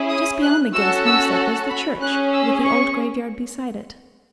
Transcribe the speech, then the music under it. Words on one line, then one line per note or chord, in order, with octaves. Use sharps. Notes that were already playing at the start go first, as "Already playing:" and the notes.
Just beyond the Gillis homestead was the church, with the old graveyard beside it.
Already playing: C#4 E4 G#4
D#6
F#6
C#4 F#4 A4 E6
E6
B5
C#4 G#4 F#6
E6
C#6